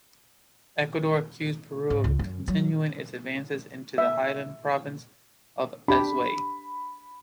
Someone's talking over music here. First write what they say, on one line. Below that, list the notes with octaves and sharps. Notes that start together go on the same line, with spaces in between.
Ecuador accused Peru of continuing its advances into the highland province of Azuay.
G#2
C#2
F#2
F#3
E5
D4 G4 B5